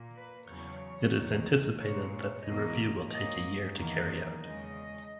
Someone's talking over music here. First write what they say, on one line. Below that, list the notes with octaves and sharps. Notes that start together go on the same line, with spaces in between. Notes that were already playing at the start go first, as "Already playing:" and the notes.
It is anticipated that the review will take a year to carry out.
Already playing: A#2 A#3
B4
E2 C#3 F#3 C#5
E2 D#3 G#3
A#2 G#3 C#5
E2 B2 A#3 D#5
G#2 F#3 A#3 D#5
E2 D#3 F#3 A#3
E2 C#3 G#3 D#5